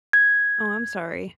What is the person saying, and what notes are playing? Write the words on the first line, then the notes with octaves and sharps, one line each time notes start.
Oh, I'm sorry.
G#6